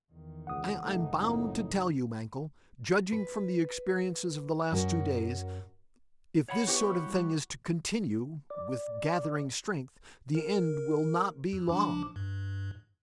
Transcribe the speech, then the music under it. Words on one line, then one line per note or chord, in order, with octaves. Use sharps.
"I am bound to tell you, Mankell, judging from the experiences of the last two days, if this sort of thing is to continue--with gathering strength!--the end will not be long."
E2 D#3
C#2 F#5 D#6
F#1 G#2 A3 D#4
F2 A2
B4
F#2 F#4 A#4
C#5 F#5 B5
B3 E4 F#4 G4 B4 C5
G3
D5
A#4
F2
F3 D4 D6
G2